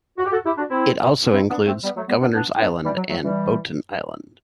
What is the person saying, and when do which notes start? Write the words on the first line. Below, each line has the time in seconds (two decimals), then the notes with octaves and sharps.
It also includes Governors Island and Boughton Island.
0.18 F#4
0.25 G4
0.32 F#4 A4
0.46 E4 G4
0.57 D4 F#4
0.70 C4 E4
1.33 C4 E4
1.50 B3 D4
1.66 A3 C4
1.83 G3 B3
1.96 F#3 A3
2.08 G3 B3
2.21 B3 D4
2.34 B3 D4
2.60 B3 D4
2.84 E3 G3
2.97 F#3
3.09 F#3 A3
3.22 E3 G3